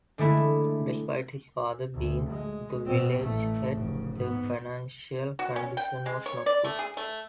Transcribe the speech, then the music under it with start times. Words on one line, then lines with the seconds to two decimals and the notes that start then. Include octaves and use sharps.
Despite his father being the village head, their financial condition was not good.
0.18 D3 G#3 A3 E4
1.95 D2
2.30 G#3
2.86 B2 C4
3.20 A1 A3
3.74 F1 C#3
4.16 G#2 B3
5.39 F#4
5.56 C#4
5.77 G5
6.06 G#3
6.26 C#5
6.46 D5
6.64 A3
6.79 G#4
6.97 A3